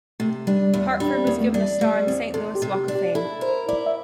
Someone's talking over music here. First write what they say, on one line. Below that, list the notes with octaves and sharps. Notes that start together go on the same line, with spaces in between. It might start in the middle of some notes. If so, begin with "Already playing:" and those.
Hartford was given a star on the Saint Louis Walk of Fame.
C3 A3
G3 D4
E2
G3 D4
C4
E2 A#3
A3
G3 D4
G3 A3
E2 C4
C3 A4
G4
C3
G4
D4
G4
E4 A4
A#4 C5
E4 D5
E5